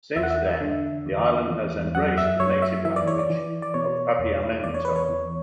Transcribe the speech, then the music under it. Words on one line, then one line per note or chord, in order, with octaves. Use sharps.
Since then, the island has embraced the native language of Papiamento.
E2 E5
F#5
E5
D3
E2
E2
F#2 F#5
E5
F#2 C#5
E5
E3 E5
D5
C#5
D5
E3
D5
B2 C#5
E2
E2 D5
C#5
B4
C#5
E2